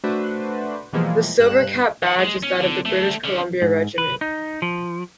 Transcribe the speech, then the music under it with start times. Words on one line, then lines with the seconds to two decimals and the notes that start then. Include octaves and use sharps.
The silver cap badge is that of the British Columbia Regiment.
0.04 A3 D4 F#4 B4 C5
0.93 B2 E3 F3 G3 G#3 A#3
1.40 G2 F#6 E7
2.03 E3 F#5
2.19 G#3
2.43 C#4
2.60 D3
2.85 D2 A3
3.24 D3 C#4
3.62 G#2
3.98 B4
4.21 D#4
4.62 F3